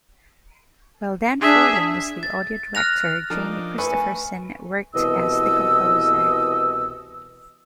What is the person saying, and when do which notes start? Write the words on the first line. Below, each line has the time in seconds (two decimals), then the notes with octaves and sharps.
While Dan Forden was the audio director, Jamie Christopherson worked as the composer.
1.41 D4 G#4 E5
2.23 A6
2.75 F6 F#6 A#6 F7
3.30 F3 D4 D#4 A#4
3.78 A3 B4 E5 G#5 C#6
4.94 C2 B2 E3 D#5 E6